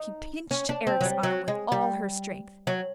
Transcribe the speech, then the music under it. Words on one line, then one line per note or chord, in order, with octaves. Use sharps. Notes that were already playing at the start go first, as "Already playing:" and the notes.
She pinched Eric's arm with all her strength.
Already playing: D#4
C#4
D4
C4
F#3
G3
F#3
G#3
G3
F#3